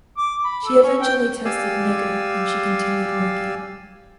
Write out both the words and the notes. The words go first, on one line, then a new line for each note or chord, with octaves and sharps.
She eventually tested negative and she continued working.
D6
B5
A4
C#4
G5
G4 D5 F5 G#5 E6